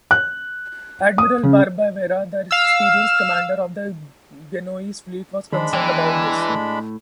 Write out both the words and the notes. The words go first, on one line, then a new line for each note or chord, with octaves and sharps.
Admiral Barbavera, the experienced commander of the Genoese fleet, was concerned about this.
F#6
D#6
C#3
F5 E6
D#3 G#3 D4 C5 B5
E2 G#2 E3 G5
A2